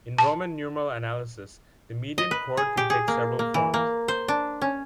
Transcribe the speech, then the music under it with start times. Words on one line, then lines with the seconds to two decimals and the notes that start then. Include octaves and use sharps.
In Roman numeral analysis, the mediant chord can take several forms.
0.18 A5
2.18 D#5
2.31 B4
2.57 G#4
2.77 G4
2.90 G#4
3.08 A#3
3.39 A#3
3.54 E3
3.74 A#3
4.08 C5
4.28 D4
4.62 C#4